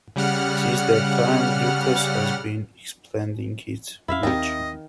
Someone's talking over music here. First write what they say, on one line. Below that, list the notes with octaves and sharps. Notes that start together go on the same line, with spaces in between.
Since that time, Ducasse has been expanding his reach.
C#3 G3 F#5 F6
F2 C#4 E4 E5 F5
D#2 D#3 A3 C4 G4 D#5 E5